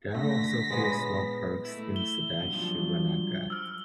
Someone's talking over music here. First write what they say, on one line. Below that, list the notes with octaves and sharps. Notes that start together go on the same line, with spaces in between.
There are also a few small parks in Sadashivanagar.
D3 A3 A#6 B6
A#2 G#3 B3 C#5
A3 E4
G7
G2 B2
G2 F3 F#3
E6 F6